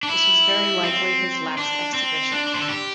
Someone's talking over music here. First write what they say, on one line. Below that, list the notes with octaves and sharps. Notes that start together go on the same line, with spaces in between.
This was very likely his last exhibition.
D4
E4
C4
D4
C4
D4
D5
C5
A4
G4